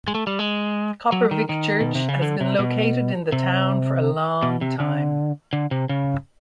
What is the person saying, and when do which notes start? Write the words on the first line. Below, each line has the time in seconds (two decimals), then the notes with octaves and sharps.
Kopervik Church has been located in the town for a long time.
0.08 G#3
0.15 A3
0.27 G3
0.39 G#3
1.12 F#3
1.31 D#3
1.49 D#3
1.81 B2
1.95 C3
2.09 C#3
2.22 D3
2.41 C3
2.59 B2
3.32 C3
4.43 B2
4.61 C3
4.80 D3
5.53 D3
5.71 C3
5.89 C#3